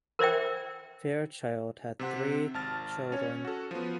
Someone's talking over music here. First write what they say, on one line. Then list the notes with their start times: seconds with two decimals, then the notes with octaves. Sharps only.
Fairchild had three children.
0.19 A#4 C5 D5 E5 G5
1.99 C3 C4 F#5
2.54 G#1 A5 F6 A6
3.12 C#4 C#5
3.45 F#4 A4
3.71 F3 B3